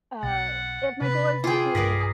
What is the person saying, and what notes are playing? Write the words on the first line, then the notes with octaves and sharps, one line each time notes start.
uh, if my goal is to
B1 F#5 A6
C3 C#4 B4
F4 G#4 G5 D6 C7
B1 G2 A#4 B4 D5 D#6 A#6 B6